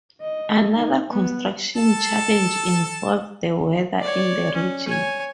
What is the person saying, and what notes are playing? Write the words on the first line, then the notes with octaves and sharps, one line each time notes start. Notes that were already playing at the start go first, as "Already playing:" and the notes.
Another construction challenge involved the weather in the region.
D#5
D#4
B3
A4 A5
C#5 D5
C#4
C#5 G#5